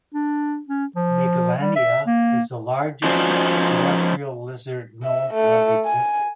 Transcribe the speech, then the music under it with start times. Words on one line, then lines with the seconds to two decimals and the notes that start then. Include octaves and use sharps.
Megalania is the largest terrestrial lizard known to have existed.
0.14 D4
0.69 C#4
0.96 F3
1.61 G3
1.76 E5
2.06 A#3
3.04 F3 C#4 D#4 F#4 C5
5.03 E5
5.34 A3
5.85 G#5